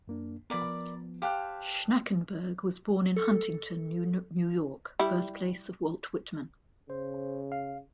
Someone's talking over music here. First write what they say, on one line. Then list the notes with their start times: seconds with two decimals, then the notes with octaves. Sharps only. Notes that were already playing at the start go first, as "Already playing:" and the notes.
Schnakenberg was born in Huntington, New York, birthplace of Walt Whitman.
0.08 F#2 A#3 D4
0.50 F3 B3 A#4 D5 B5
1.22 G4 C5 F5 G5 A5 F#6
3.16 A4
4.99 G3 E4
6.90 C#3 C5
7.52 F5